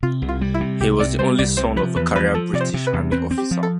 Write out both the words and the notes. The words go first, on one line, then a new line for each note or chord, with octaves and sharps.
He was the only son of a career British Army officer.
C3 F4
C2
F4
G3
E4
C3
C2 G4
C3 D5
G3 C5
C2 D5
C3 C5
F3 B4
E2 B4
F3 B4
F3 A4
C3 D5
C5
C3
B4
E2
C4 B4
C4
G4
F3
A4